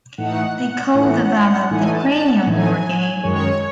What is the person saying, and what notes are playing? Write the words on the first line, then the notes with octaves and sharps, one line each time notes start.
They co-developed the "Cranium" board game.
A2 E3 A3 D#4 F#5
A2 E3 A3 D#4
A2 E3 A3 D#4 G#5
A5
A5
F#5
A2 E3 A3 D#4 G#5
F#2 D#3 G#3 C#5